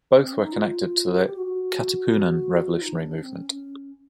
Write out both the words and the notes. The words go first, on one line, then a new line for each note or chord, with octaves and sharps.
Both were connected to the "Katipunan" revolutionary movement.
C4
C#4
D#4
F4
G4
G4
F#4
F#4
F4
D#4
D4
C4
C#4
C#4